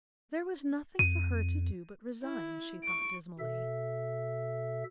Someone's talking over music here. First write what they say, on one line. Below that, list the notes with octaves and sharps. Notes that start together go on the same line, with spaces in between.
There was nothing for her to do but resign, she thought dismally.
F2 D#7
E4
C#6 D7
B2 A4 E5